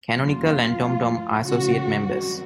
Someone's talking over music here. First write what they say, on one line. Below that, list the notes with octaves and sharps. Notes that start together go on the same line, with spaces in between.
Canonical and TomTom are Associate Members.
E2 B2 F#3 A#3 C#4 F4
G#2 F3 A3
C#3 E3 A3 C#4 F#4
F#2 D#3 G3 C4 F#4